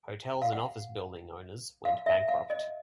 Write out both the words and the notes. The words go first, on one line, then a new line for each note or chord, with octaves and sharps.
Hotels and office building owners went bankrupt.
F5
F#5
F5
E5
F5
D#5